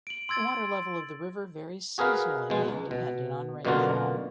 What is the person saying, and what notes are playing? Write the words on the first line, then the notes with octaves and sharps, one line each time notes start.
The water level of the river varies seasonally and depending on rainfall.
D7 F#7
C6 E6 G#6 A6 D7
F#4 G#4 A#4 B4 F5
B2 G#3
C#2
B2
F#2 B2 D3 A#3 F4 F#4